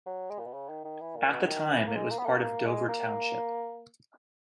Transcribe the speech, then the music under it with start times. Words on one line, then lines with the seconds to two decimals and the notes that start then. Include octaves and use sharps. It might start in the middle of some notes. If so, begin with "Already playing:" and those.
At the time, it was part of Dover Township.
0.06 F#3
0.30 G#3
0.39 A#2
0.46 B2
0.54 C#3
0.69 D#3
0.85 D#3
1.00 E3
1.16 A#2
1.32 B2
1.48 D#3
1.71 E3
1.87 A#3
1.95 G#3
2.10 A#3
2.19 B3
2.26 A#3
2.42 A#3
2.65 G#3
2.89 A#3